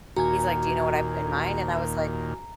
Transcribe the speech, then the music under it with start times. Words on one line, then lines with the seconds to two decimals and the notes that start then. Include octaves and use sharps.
He's like, "Do you know what I put in mine?" And I was like
0.16 D#2 A#2 F#4 G#5 A#5 G#6